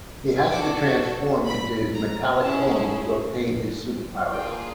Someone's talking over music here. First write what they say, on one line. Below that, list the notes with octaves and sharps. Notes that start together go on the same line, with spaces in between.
He has to "transform into his metallic form" to obtain his superpowers.
D4 F#4 A4 D6
B5
A#5
C#4 E4 G#4 A5
A#3 D4 F4 G#4 G5